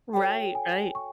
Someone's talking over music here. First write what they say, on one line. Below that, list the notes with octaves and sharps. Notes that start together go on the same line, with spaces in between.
Right, right.
F#4 A4 C#5 G5
G#5
C#6